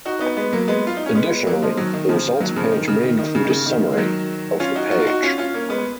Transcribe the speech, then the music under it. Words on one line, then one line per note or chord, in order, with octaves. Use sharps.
Additionally the results page may include a summary of the page.
D#4 F#4
B3 D#4
G#3 B3
F#3 A#3
G#3 B3
F4
D#4
C#4
G#3 B3
F#3 A#3
F3 G#3
D#3 F#3
D#3
C#3 F3
D#3 F#3
F#3
C#3 F3
D#3
C#3
D#3
D#3
C#3
D#3
C#3
D#3
G#3
D#3 F#3
C#4 F4
D#4 F#4
D#4 F#4
F4
D#4 F#4
C#4 F4
C#4 F4
A#3 C#4
G#3 B3